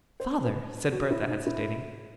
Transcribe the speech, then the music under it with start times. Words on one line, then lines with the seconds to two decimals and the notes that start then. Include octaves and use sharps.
"Father!" said Bertha, hesitating.
0.20 C5
0.44 B4
0.92 F#4
1.11 E4
1.29 D#4
1.47 E4